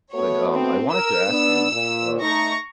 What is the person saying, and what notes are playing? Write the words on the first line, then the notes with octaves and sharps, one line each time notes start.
But, um, I wanted to ask you, s uh,
A3 B3 F#4 C#5
C4
A#4 E6
B3 D4
A#2
A3 D#4 A#5 C#6 A#6